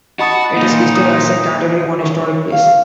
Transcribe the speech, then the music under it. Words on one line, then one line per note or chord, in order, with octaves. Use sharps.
It is listed as a Category One Historic Place.
F#4 D#5 A5 B5 D#6
A#2 D#4
D#6
C#5
F5